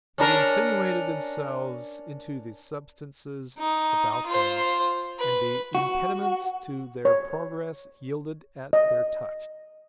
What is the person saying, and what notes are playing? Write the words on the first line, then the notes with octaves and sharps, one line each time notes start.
They insinuated themselves into the substances about them, and the impediments to their progress yielded at their touch.
C#4 D4 A#4
D#4
F4 C5
B4
F#4
C#5
D#5